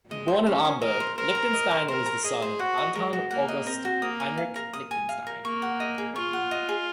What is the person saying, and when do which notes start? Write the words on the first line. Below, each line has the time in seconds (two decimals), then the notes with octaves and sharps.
Born in Hamburg, Lichtenstein was the son of Anton August Heinrich Lichtenstein.
0.10 G#3 D#5
0.28 C5
0.46 C#4 C5
0.65 G#5
0.82 A#4 D#5
1.00 C5
1.17 A#4 C5
1.35 A#5
1.53 D#5
1.71 C5
1.88 A#4 C5
2.06 A#5
2.24 G#4 D#5
2.42 C5
2.59 F#4 F#5
2.78 D#5
2.95 G#3 A#4
3.13 F#4
3.31 A#3 F#5
3.48 D#5
3.66 C4 A#4
3.85 F#4
4.02 A#3 D#6
4.20 G#5
4.38 F5
4.56 A#4
4.73 D#6
4.91 G#5
5.09 F5
5.27 A#4
5.44 A#3 C#6
5.62 F#5
5.80 D#5
5.98 G#4
6.16 F4 C#6
6.33 F#5
6.51 D#5
6.69 G#4